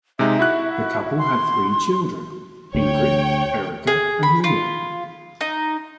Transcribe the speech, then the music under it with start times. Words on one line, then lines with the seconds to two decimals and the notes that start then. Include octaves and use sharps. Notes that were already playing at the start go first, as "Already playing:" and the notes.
The couple had three children: Ingrid, Erika, and Leo.
0.19 C3 G#3 D#4 E5
0.39 E4 F#4 F#6
1.18 C6
2.75 D2 C#5 G5
3.87 G#4
4.23 B5
4.44 F4
5.41 D#4